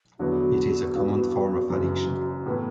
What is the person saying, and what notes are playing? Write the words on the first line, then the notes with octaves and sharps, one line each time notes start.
It is a common form of addiction.
E2 D3 F#3 B3 E4 F#4
G2 E3 B3
F#1 F#2 E3
A2 E3 B3